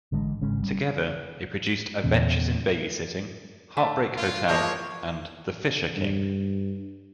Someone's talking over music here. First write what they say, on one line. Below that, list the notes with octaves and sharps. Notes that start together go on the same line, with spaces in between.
Together, they produced "Adventures in Babysitting", "Heartbreak Hotel", and "The Fisher King".
A1 D3 G#3
G#1 C#3 G#3 C#4
G3
E2 A#2 C#3
A3
F4
F3 G#3 A#3 C#5
G2